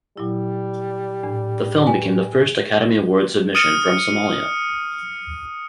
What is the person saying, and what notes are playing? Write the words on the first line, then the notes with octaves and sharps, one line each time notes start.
The film became the first Academy Award submission from Somalia.
A#2 F#3 G3 E4
A2 D4
B4 G5 G#5
D#6 F6 C#7 D#7